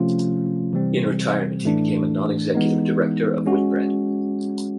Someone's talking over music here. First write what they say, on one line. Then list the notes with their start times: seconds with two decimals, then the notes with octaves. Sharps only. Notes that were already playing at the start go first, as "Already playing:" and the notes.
In retirement he became a Non-Executive Director of Whitbread.
Already playing: C3 F3 A3 C#4 F4
0.72 C3 E3 G3 C4
1.63 A2 E3 A3 D4
2.55 E3 G#3 B3 D#4
3.45 G#3 C#4 F#4